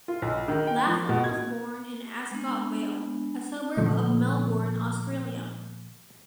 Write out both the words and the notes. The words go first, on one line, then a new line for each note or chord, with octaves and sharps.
Latham was born in Ascot Vale, a suburb of Melbourne, Australia.
F4
B1
D#3
G5
F3
B2
G#6
G#3 B3 D4
A#2 D3 F3 A3